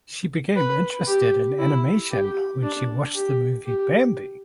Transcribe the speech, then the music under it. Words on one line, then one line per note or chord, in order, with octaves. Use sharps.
She became interested in animation when she watched the movie "Bambi".
B4
G4
E4
G4
D4
G4
G4